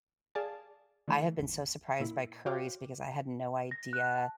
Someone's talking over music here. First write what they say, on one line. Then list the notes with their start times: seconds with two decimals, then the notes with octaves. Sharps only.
I have been so surprised by curries because I had no idea
0.35 G#4 D5 F5 G#5 A5
1.08 D3 E3 A3
1.39 G#1 E2
2.00 A#2 E4
2.46 F#4 C5 C#5 F5 G5 D6
3.71 A#6
3.93 F#6
4.18 A5